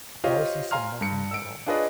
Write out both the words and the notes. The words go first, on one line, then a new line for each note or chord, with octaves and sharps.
Darcy said nothing at all.
F4 G4 C5 C#5 D#5 F5
F5 G#5 A#5 C6 F6
G2 C#7
E6 D7
D4 F4 G#4 B4 C#5 D#5